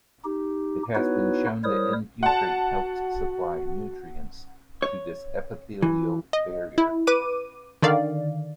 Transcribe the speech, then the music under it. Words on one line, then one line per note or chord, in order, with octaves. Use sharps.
It has been shown that N-butyrate helps supply nutrients to this epithelial barrier.
D#4 G4
B3 D#4 E4 F#4 B4 C#5
G3 E4 A#4 C5 C#5 D#6
F#4 F#5 A5
C#5
E3
D#5
E4
B4 D6 D#7
D3 D#3 D5 F5